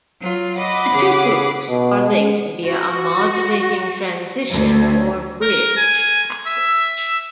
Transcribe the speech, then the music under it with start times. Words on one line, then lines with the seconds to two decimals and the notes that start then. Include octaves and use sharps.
The two groups are linked via a modulating transition, or bridge, passage.
0.21 F#3 F4
0.58 D#5 F#5 B5 D6
0.91 C#3 G#4
1.69 B2
2.10 G#3
2.65 F#4
4.49 D2
5.42 A#4
5.77 G#5
6.47 E5